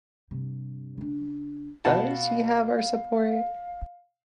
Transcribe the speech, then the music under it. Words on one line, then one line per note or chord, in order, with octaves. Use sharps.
Does he have our support?
G2 C3
C#3 D4
B2 F5 F#5 A5